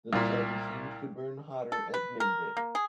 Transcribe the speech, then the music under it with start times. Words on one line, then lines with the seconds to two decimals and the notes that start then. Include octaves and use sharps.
The sun seems to burn hotter at midday.
0.13 C2 A#2
1.72 A4
1.94 B4
2.20 A#4
2.57 A#3
2.75 G#4